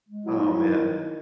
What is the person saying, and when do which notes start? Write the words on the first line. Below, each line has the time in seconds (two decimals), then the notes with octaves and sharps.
Aw, man.
0.08 G#3
0.26 F#3 E4
0.37 D#4
0.43 F#3
0.49 E4
0.61 D#3